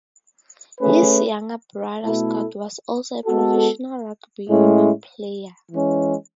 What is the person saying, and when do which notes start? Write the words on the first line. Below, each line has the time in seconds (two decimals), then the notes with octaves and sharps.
His younger brother Scott was also a professional Rugby Union player.
0.80 A3 C#4 G#4 B4
2.03 B2 A3 E4 A4
3.25 G#3 B3 F#4 A4
4.48 A2 G#3 C#4 E4
5.71 E3 G#3 C#4